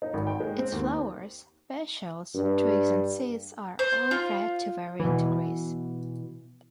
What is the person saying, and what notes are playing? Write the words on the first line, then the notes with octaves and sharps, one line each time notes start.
Its flowers, petioles, twigs and seeds are all red to varying degrees.
D#4
G#1
G5
G#3
C4
D#2
G2
C5
F4
B2 E3